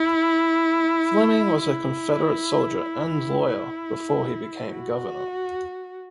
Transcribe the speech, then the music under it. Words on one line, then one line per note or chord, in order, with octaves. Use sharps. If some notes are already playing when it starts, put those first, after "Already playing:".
Fleming was a Confederate soldier and lawyer before he became governor.
Already playing: E4
E4
E4
F#4